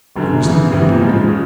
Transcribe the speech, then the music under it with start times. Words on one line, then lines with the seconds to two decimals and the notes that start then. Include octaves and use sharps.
He was thinking deeply.
0.16 G1 F#2 D3
0.43 E2 C#3 E3
0.72 F#1 E2 C3 E3
1.00 C#3 F3 G#3
1.28 C#3 F3